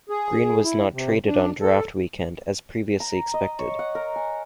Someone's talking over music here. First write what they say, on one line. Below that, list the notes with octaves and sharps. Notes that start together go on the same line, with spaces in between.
Green was not traded on draft weekend as previously expected.
G#4
E4
C3
D4
A4
A#5
D#5
C#5
F#5
A#4
G#5